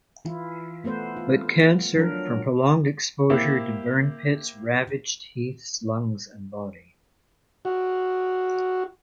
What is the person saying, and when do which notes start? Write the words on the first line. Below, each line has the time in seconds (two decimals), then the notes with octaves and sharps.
But cancer from prolonged exposure to burn pits ravaged Heath’s lungs and body.
0.25 E3 E4 F4
0.84 A3 B3 B4 C5
1.17 F4
1.95 F3 F#3 D4 A#4
3.30 A#3 E4 G4 C5
7.65 F#4